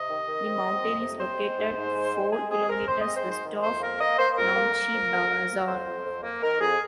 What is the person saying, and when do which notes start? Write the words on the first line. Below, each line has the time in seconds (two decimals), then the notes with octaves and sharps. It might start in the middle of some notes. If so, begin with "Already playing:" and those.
The mountain is located four kilometers west of Namche Bazaar.
Already playing: C3 D#5
0.09 D#3
0.27 D#3
0.46 C4
0.64 C4
0.83 F2
1.02 C3
1.20 C4 C5
1.38 G#3
1.58 G#2
1.76 G#2
1.95 G#3
2.14 G#3
2.32 G#3 G#4
2.51 C4 G#4
2.69 C4 A#4
2.88 C4 C5
3.02 G#3 D#5
3.16 C5
3.25 G#2
3.30 C5
3.45 D#3
3.63 F2 C5
3.81 A#3 A#4
4.00 A#3 D#5
4.18 A#3 C5
4.32 C5
4.37 F2 A#4
4.56 A#3
4.74 A#3
4.94 F2
5.12 F2
5.30 A#3
5.49 A#3
5.68 F2 C5
5.86 F2
6.06 F2
6.23 A#3
6.42 D#3 A#4
6.60 F2 G#4